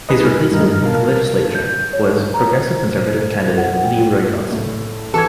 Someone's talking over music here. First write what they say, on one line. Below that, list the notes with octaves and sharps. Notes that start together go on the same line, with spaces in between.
His replacement in the legislature was Progressive Conservative candidate LeRoy Johnson.
C2 D#4 G#4 B4 D#5
G2 D#3 D#5 A#5 F6
A#4 F5 A5
G6
C#5
A#5
C5
F#5
G5
A2 A3
E3 F#4 A4 G#6